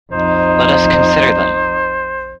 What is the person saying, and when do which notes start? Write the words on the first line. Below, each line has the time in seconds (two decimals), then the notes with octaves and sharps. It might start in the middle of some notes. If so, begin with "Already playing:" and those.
Let us consider them!
0.12 F2 D#4 C5